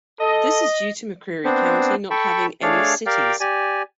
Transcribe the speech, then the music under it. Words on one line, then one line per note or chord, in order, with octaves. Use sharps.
This is due to McCreary County not having any cities.
A4 D#5
B3 C4 D4 C5
A4 G5 A5 B5 C#6
A3 D4 G#4 C#5 D5 F5
G4 A#4 D5 F5 G5
G4 D5 G#5